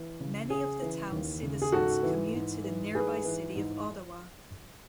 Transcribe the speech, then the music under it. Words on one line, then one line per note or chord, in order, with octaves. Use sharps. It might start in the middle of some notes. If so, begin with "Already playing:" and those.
Many of the town's citizens commute to the nearby city of Ottawa.
Already playing: E3
C#3
C#3 G#4
E3
D#2
C#3
G#4
G#2 F#4 A4
E3
G#2
E3
G#2 G#4 B4
E3
G#2